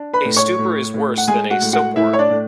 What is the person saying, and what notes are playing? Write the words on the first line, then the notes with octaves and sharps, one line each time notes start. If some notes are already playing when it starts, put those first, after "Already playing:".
A stupor is worse than a sopor.
Already playing: D4
B4 B5
A2
C#5 C#6
A2
A2
F#5
G#3 G#4 G#5
F#4 F#5
A2
F#4 F#5
A2 E4 E5
C#5
D4 D5
A2